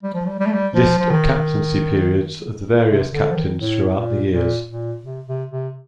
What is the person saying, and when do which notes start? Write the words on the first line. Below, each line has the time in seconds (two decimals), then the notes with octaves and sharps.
List of captaincy periods of the various captains throughout the years.
0.03 G3
0.14 F3
0.26 G3
0.40 G3
0.46 A3
0.53 G3
0.74 F3
0.99 F3
1.11 D#3
2.89 C3
3.13 D3
3.31 F3
3.36 D#3
3.61 A2
3.96 A#2
4.32 A#2
4.68 A#2
5.04 C3
5.27 C3
5.51 C3